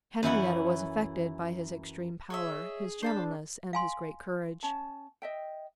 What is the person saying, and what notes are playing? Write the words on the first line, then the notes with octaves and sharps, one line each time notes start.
Henrietta was affected by his extreme pallor, his gentleness, and his great courage.
F#2 E3 E4 F#5
G#4 C#5 D#5 E5
D4 C5 A5 B5
F5 G#5 C6
C#4 A5
D#5 E5 G5